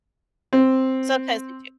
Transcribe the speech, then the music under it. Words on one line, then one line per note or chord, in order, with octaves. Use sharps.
Sometimes they do.
C4